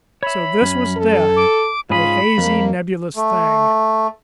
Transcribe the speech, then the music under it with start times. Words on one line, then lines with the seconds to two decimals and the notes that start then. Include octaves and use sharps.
So this was death--a hazy, nebulous thing!
0.23 C#5 E5 B5
0.61 F#2 C#4
0.97 A4
1.36 D6
1.90 G#2 C#4 F4 G#4 B5
2.38 F2 A#3
3.16 A3